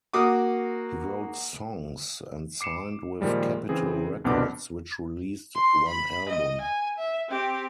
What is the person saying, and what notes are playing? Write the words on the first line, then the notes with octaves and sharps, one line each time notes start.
He wrote songs and signed with Capitol Records, which released one album.
A#3 F#4 D6 D#6
D6 C7 C#7 E7
A#2 D#3 F3 G3 G#3
C#3 E3 C4 G#4
C2 F2 B2 B3 D4 D6
C6
B5
D#5
G#5
E5
C4 G4